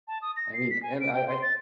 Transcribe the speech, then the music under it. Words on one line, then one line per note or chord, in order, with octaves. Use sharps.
I mean, and I I
A5
D#6
A#6
C7
B6
G#5
D7
G5
C6
A6